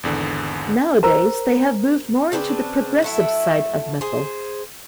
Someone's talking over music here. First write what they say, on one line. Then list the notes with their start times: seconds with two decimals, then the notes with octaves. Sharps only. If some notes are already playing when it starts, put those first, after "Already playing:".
Nowadays, they have moved more into the progressive side of metal.
0.03 G#1 E2 D3
1.03 A#4 C5 A#5
2.32 C#3 C4 D4 B4
3.02 F#3 A3 E4
4.01 G#4 C5